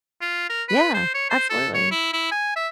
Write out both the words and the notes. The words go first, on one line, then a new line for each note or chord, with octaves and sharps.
Yeah, absolutely.
F4
A#4
B4
C5
C#5
C5
A4
C#5
E4
E4
G#5
E5